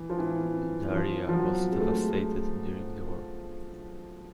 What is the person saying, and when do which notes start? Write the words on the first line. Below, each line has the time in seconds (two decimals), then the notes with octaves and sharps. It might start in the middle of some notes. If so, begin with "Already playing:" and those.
The area was devastated during the war.
Already playing: E3
0.10 F3
0.19 E3
0.89 E3
0.95 F3
1.29 F3
1.34 F#3
1.72 G#3
1.80 A3
1.87 G#3